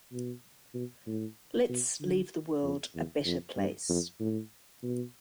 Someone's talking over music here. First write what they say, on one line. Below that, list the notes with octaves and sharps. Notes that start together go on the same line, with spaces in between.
Let's leave the world a better place.
B2
B2
A2
B2
D3
F2
E2
F2
G2
F2
A2
B2